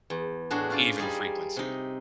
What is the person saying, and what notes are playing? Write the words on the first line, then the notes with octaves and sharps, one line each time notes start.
even frequency.
E2
A2 D4 F#4 G#4
C#4 F4 D5
G3 D#4 G#4 D5
C3 D#4